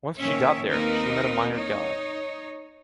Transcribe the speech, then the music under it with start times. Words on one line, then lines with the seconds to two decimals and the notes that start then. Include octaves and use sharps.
Once she got there, she met a minor god.
0.19 A#2 D#3 F3 C#4 C#5 E5
0.70 D#2 A#3 C4 D#4 A#4 B4
1.54 D#4 C#5